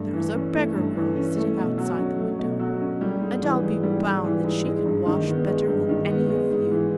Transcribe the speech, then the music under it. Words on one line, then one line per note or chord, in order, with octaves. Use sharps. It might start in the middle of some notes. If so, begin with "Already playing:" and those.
There is a beggar-girl sitting outside the window, and I'll be bound that she can wash better than any of you!
Already playing: G2 A3
E3
C#4
A3
G2
E3
C#4
A3
B2
F#3
C#4
A3
B2
F#3
C#4
G3
G#2
E3
G#2
G3
G#2
E3
G#2
G#3
G2
D#3
B3
G#3
G2
D#3
B3
G#3
G#2
E3